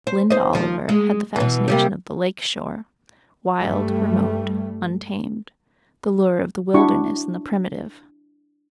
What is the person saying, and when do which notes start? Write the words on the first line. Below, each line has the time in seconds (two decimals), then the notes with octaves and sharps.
Lynde Oliver had the fascination of the lake shore--wild, remote, untamed--the lure of the wilderness and the primitive.
0.07 C5
0.30 D#4 C5
0.53 D#2 F3
0.89 G#3
1.36 B2 E3
1.68 C3 G3 A#3
3.61 G2 G3 A3
6.74 D4 E4 F#4 C#6